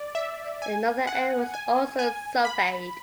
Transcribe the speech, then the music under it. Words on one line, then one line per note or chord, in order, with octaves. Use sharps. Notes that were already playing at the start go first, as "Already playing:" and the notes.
The northern end was also surveyed.
Already playing: D5
E5
G#5
F#5
G#5
G#5
B5